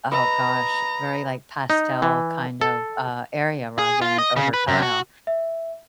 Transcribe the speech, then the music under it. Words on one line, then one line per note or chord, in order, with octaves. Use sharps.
oh gosh, very, like, pastel kind of, uh, area rug in it over tile.
B4 D#5 A#5 E6
D#4
E3
A4
G#4
F4
D#5
C#3
B4
F#2
F#4
E5